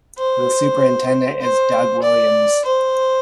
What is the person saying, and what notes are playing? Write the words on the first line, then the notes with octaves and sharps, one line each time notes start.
The Superintendent is Doug Williams.
C5
C5
D5
C5